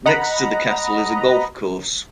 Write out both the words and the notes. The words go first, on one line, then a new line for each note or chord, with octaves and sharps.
Next to the castle is a golf course.
D#5 F#5 A#5 B5